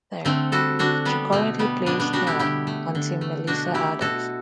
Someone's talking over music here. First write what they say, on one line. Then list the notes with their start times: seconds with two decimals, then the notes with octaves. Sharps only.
She currently plays third on Team Melissa Adams.
0.25 D3 A3 C4
0.52 G3 F#4 A4
0.79 D3 D4 F#4
1.05 G3 B3
1.32 B2 A3
1.59 G3 B3
1.86 B2 B3 D4
2.00 B3 D4
2.13 G3 D4 F#4
2.27 E4 G4
2.39 D3 E4 G4
2.67 A3
2.95 D3
3.21 A3
3.47 B2 D4 F#4
3.74 A3 E4 G4
4.01 B2 F#4 A4